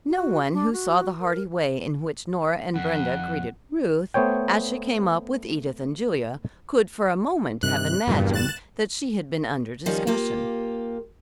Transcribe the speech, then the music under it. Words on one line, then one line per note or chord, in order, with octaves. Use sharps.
No one who saw the hearty way in which Nora and Brenda greeted Ruth, as she came up with Edith and Julia, could for a moment have imagined that she had been under discussion.
F#4
D4
F#4
A#4
F2 F#5
A3 B3 C5 C#5 G5
G2 C3 D#3 F#6
F#1 E2 G2 A#2 G3
F#6 A6 E7
D#3 F3 G3 C#4 D#4
A#3 F4 G4